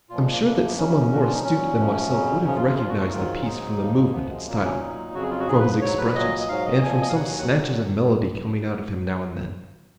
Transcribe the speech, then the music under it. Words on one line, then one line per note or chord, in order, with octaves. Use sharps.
I'm sure that someone more astute than myself would have recognized the piece from the movement and style, from his expressions, and from some snatches of melody coming out of him now and then.
A#2 F3 F4
G#3
A#3
F#2 F3 A#3
B3
F2 D#3 F#3 C#4
A#2 F3 F#4
F4
D#4
A#2 F#3 C#4
F#2 F3
F2 C#3 F#3
F#2 C#3 F3 C#4
F4
F4
A#2 F3 F4
F#4
F#4
D#4
G#2 D#3 F#3 F4
C#4
G#2 F#3 D#4
D#2 C#3 F3
A#3
F#2 F3 B3
G#3
A#2 F#3 A#3
C#4
A#2 F#3 D#4
F2 C#3 F#3 F#4
G#4
F4
F#4
G#2 F3 G#4
B4
G#2 F#3 C#5
B4
A#2 F#3 D#5
D#5
G#2 F#3 F5
D#5
A#2 F3 G#5
D#5
F5
D#2 D#3 F#3 F#5
G#5
F#5
A#2 F#3